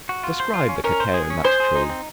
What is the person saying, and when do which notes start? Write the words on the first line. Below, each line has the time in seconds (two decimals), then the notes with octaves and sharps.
Describe the Cacao-nut Tree.
0.09 F#4
0.24 F4
0.40 C5
0.54 F4
0.69 C#4
0.84 C#4 A#4
1.00 C5
1.14 G#4
1.30 C#4
1.44 G#4 C5
1.60 G#4
1.75 D#4
1.89 C4